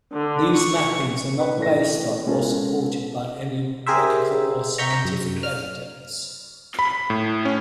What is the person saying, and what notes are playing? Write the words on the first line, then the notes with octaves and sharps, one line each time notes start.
These mappings are not based on or supported by any medical or scientific evidence.
D3
C#6
B4
A1 A4 D5 A#6
G#3 B3 C#4 F4 A4 A#4
G4 G#4 A#4 C5 E5
A#5 C#6 G6 B6
F#2
F6
B5
A2
C#4